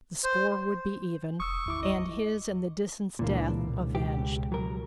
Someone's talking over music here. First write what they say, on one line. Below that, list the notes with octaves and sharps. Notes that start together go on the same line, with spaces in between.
The score would be even, and his and the Disans' death avenged.
C5
F1 C#6 D#6 E6
G#1 E2 E4 D6
D#5
C#2 A#2 E3 A#3 D4
C#2 B2
G4
F#3 A#4